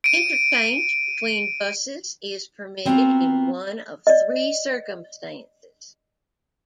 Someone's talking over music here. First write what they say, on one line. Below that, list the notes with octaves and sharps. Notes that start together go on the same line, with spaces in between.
Interchange between buses is permitted in one of three circumstances.
D7 D#7
B3 C4 F4 F#4 A5 A#5
D5 D#5